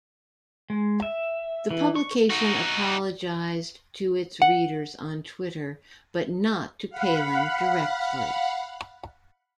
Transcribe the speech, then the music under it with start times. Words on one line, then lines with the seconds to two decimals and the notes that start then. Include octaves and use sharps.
The publication apologized to its readers on Twitter but not to Palin directly.
0.70 G#3
1.02 E5
1.71 E3
1.95 C#6
2.30 D#4 F#4
4.42 F#5
6.90 F5 F#5 B5